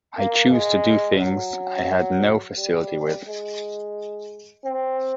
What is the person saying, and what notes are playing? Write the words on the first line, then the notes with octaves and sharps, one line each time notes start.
I chose to do things I had no facility with.
A#3
G#3
F#3
G3
G#3
C4